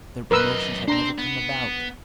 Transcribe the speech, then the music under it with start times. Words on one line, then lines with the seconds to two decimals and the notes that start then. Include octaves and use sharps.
Their promotions had never come about.
0.31 F#2 A#4 B4 D#5 E6
0.88 D4 C5 G5 A#5
1.18 B3